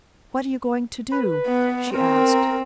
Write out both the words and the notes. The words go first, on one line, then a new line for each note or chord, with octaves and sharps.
"What are you going to do?" she asked.
B4
B3
C4 A#4